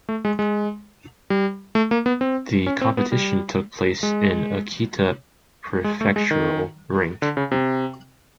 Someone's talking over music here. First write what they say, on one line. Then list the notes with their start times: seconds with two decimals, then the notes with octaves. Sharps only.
The competition took place in Akita Prefectural Rink.
0.09 A3
0.25 G#3
0.39 G#3
1.30 G3
1.75 A3
1.91 A#3
2.06 B3
2.21 C4
2.66 C#4
2.81 C4
2.97 B3
3.12 G3
4.03 G#3
5.84 G#3
6.01 A3
6.16 G#3
6.31 D#3
7.22 D3
7.37 C#3
7.51 C3